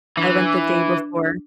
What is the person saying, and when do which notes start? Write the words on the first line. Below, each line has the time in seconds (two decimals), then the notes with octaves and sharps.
I went the day before.
0.17 E3 D4